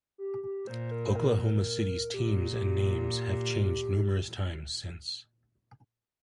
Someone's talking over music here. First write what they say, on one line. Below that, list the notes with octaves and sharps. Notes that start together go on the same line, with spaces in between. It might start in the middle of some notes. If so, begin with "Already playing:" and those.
Oklahoma City's teams and names have changed numerous times since.
G4
G4
A#2 C5
A#4
C5
A#4
A#4
A#2 G4
G4